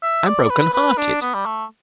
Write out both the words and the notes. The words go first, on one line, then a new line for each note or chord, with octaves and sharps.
I am broken-hearted.
E5
D5
B4
B4
D4
B3
G3
A3